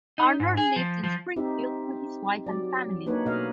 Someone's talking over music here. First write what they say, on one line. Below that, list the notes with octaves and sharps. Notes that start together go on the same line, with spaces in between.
Arnold lived in Springfield with his wife and family.
D#4
G#2
G#4
F3
F3
C4 D#4 G4 E5
F#3 D5
A#3 D4 D#4 B4 C#5
B2 A3 B4 D#5 F5